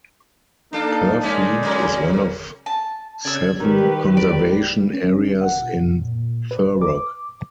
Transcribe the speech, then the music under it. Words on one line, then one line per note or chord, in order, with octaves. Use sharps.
Purfleet is one of seven conservation areas in Thurrock.
A#3 D4 D#4 A4
G#3 C#4 D#4 A#4 D5
C3 F#3 A#4
A5
C#3 D5 E6 G#6
D#3 G3 G4 B4
G#3 D5
C#4
F#5
B2
F2
A#2
B4
D6